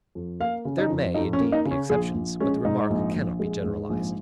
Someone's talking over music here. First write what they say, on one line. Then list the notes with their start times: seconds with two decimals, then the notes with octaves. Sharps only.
There may, indeed, be exceptions, but the remark cannot be generalized.
0.15 F2
0.40 A#3 F5
0.65 C#3
0.78 D#4
0.90 F2
1.14 F2 D#4
1.33 C#4
1.40 A#3
1.52 D#4
1.65 C#3
1.71 C#4
1.90 A#1 G#4
2.15 A#1
2.40 G#3 C#4
2.65 G#2 D#4
2.90 A#1
3.15 A#1
3.40 G#3
3.64 G#2
3.90 A#1